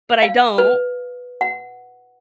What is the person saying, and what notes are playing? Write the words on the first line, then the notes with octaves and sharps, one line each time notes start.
but I don't.
F5
B4
F#5